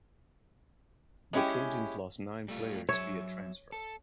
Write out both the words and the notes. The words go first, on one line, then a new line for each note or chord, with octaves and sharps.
The Trojans lost nine players via transfer.
G#3 C#4 E4 G4
G3 A3 F4
F#3 C#5 E5
A4